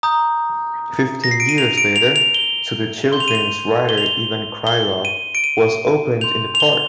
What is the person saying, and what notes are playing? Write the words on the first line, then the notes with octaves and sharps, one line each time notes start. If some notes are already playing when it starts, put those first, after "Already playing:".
Fifteen years later, to the children's writer Ivan Krylov was opened in the park.
A#5 D#6 G6
A#6
C7
D7
D#7
F7
D7
F7
F7
G7
C6 G6 G7
F7
D#7
F7
G7
F7
G7
G7
D#7
D7
D#7
C6 G6 F7
F7
G7